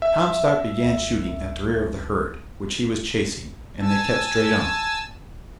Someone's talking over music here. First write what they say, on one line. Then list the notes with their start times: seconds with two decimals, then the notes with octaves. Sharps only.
Comstock began shooting at the rear of the herd, which he was chasing, and they kept straight on.
0.02 E5
0.85 C#2
3.80 G#5 A5 E6